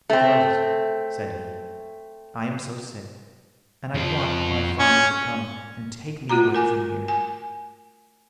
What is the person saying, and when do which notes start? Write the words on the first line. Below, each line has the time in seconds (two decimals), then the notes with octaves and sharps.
"Because," said he, "I am so sick, and I want my father to come and take me away from here."
0.10 A3 C4
3.94 F2 F4
4.79 C#4
6.29 A3 F4 F#4 A#5
6.54 A#4 G#5 D6
7.08 G#5